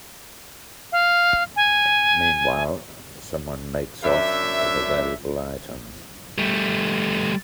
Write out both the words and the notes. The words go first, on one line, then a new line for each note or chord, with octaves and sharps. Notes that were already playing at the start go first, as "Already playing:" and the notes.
Meanwhile, someone makes off with a valuable item.
F5
G#5
F#2 D4 E5
G3 A3